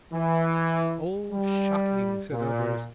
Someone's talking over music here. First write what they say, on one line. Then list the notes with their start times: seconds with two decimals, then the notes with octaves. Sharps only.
"Oh, shocking!" said others.
0.13 E3
1.32 G3
2.31 A#2